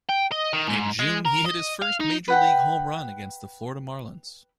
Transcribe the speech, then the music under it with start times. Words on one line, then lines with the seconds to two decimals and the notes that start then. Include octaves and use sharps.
In June he hit his first major league home run against the Florida Marlins.
0.10 G5
0.32 D#5
0.53 D#3
0.68 G#2
0.99 G#3
1.26 A#4
1.46 D#5
1.82 F5
2.00 D#4
2.28 B4 F#5 G5